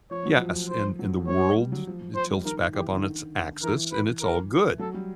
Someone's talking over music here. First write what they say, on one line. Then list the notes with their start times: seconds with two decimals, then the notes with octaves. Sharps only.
Yes, in in the world, it tilts back up on its axis, and it's all good.
0.11 F3 C#5
0.26 F#3
0.40 F3
0.70 C5
0.99 F#3
1.27 G3 C#5
1.57 G3
1.72 F#3
1.87 F3
2.15 F3 C5
2.31 G3
2.45 D#3 A#4
2.74 E3 G4
2.93 D3
3.04 D#3
3.63 E3 A#4
3.92 B4
4.21 A#4
4.79 F#3 A4
4.94 G3